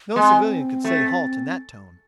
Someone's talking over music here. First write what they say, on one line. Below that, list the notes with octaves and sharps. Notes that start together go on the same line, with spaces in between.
No civilian could say halt in that tone.
G#3 C4
A3